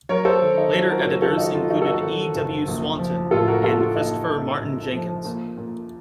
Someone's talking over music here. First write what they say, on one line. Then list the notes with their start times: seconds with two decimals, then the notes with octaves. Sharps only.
Later editors included E. W. Swanton and Christopher Martin-Jenkins.
0.09 F#3 A#4 C#5
0.25 A4 C5
0.42 D#3
0.58 D#4
0.74 F#3 F4
0.90 F#4 A#4
1.06 F#1 F#4 A#4
1.22 F4 A4
1.38 D#3 D#4 F#4
1.55 F4
1.70 F#3 D#4 F#4
1.82 A4
1.86 D#4 F#4
2.03 D#3
2.35 F#1
2.68 A#1
2.99 F3
3.31 A2 F4 A4
3.48 F#4 A#4
3.63 A#1 F4 A4
3.80 F4
3.96 A#1 D#4
4.28 A#1
4.61 A#1
4.93 F3
5.25 A#2
5.58 A#2